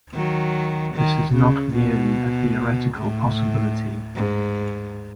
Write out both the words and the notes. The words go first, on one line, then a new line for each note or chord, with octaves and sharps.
This is not merely a theoretical possibility.
D#3 F#3
D#3
C#3
B2
A2
G#2